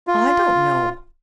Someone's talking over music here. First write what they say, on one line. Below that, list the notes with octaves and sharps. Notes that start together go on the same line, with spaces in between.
I don't know.
F4